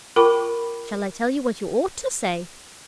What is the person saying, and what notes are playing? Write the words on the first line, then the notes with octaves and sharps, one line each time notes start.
"Shall I tell you what you ought to say?"
F4 A#4 G5 B5 C#6 D6